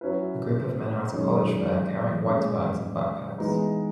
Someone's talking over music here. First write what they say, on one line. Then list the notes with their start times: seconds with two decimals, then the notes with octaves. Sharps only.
A group of men are at a college fair carrying white bags and backpacks.
0.01 F#3 C#4 E4 B4
1.13 F#2 D#3 G#3 C#4 G#4
2.26 A#2 G#3 C#4
3.38 E3 G#3 B3 D#4